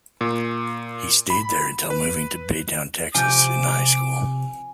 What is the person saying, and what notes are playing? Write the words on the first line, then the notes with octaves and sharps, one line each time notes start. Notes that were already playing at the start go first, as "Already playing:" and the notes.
He stayed there until moving to Baytown, Texas in high school.
A#2
B5
B4
C3 F3 G5 G#5 D6